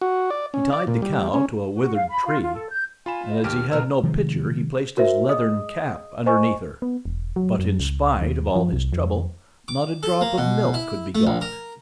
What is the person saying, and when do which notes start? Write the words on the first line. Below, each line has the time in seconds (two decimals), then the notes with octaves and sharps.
He tied the cow to a withered tree, and as he had no pitcher he placed his leathern cap underneath her; but in spite of all his trouble not a drop of milk could be got.
0.01 F#4
0.30 D5
0.54 C#4
0.73 D5
0.87 A#2
1.02 G3
1.34 C#4
1.73 F#4
1.94 F5
2.08 B5
2.25 F4
2.41 F4
2.53 A4
2.70 G6
3.06 F4 G#5 B5 E7
3.29 D#5
3.44 D#2 G4 F6
3.72 B2 F3 A#5 E6 F6
4.03 C3 D#3 F3 G#3
4.97 F#4 A#4 C5 E5
5.29 G#4 D#5 D#6
6.26 C5 D#5 G#5 C#6
6.82 B3
7.05 E1
7.36 F#3
7.59 F#2
7.80 C#2
8.21 D#2
8.56 F3
8.73 C2
8.93 F2
9.68 D6
10.03 A4
10.21 A#3
10.38 B2
10.74 E4
11.15 A3
11.27 A#1
11.41 A#4